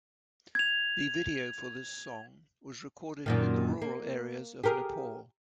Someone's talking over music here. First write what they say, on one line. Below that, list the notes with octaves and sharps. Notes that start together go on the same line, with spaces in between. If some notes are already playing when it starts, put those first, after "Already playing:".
The video for this song was recorded in the rural areas of Nepal.
G#6 F7
F#2 A#2 D#3
A#3
G4 G#4 A#4